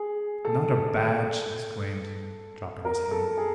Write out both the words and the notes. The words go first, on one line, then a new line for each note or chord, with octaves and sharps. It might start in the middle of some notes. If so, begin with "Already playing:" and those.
"Not a BAD--" she exclaimed, dropping his hand.
Already playing: G#4
A4
A#4
A4
G#4